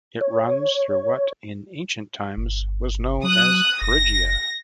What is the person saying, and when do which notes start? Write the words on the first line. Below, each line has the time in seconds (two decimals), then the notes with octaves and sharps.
It runs through what in ancient times was known as Phrygia.
0.21 C#5
2.37 G1
3.24 F#3 D#6 F#6
3.82 F#1 A#6